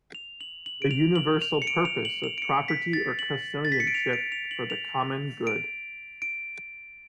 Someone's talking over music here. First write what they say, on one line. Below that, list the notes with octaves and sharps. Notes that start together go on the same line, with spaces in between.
The Universal Purpose of Property or Custodianship for the Common Good.
F7
F#7
F#7
D7
F7
F#7
F7
C#7
D7
F7
F#7
F7
D7
C#7
B6
A6
F#7
A6
B6
C#7
D7
F7
D7
F7
F#7
F7
D7
D7